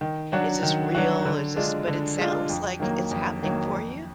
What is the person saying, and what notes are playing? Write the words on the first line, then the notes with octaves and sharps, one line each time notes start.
is this real, is this but it sounds like it's happening for you,
D#3
F#3 D4 F#4
D#3
F#3 D4 F#4
D3
G#3 D4 F4
D3
G#3 D4 F4
F2
D#3 F#3 A#3
F2
D#3 F#3 A#3
F2